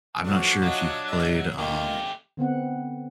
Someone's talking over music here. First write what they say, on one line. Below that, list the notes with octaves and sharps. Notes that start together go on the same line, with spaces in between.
I'm not sure if you've played, um,
F3 F#3 A3 D4 F#4
F#3 D4 F4 D#5
D#5 E5
A3 A#3 D4 F4 G4 D#5
D3 B3 C4 F#5